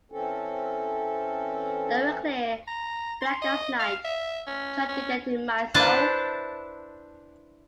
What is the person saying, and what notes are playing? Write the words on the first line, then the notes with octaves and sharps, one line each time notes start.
They were clear, black as night, trying to get into my soul.
E3 C4 C#4 A4
A#5
C6
D#5
F5
E5
C#4
C#4
D4 E4 B4 C5 A5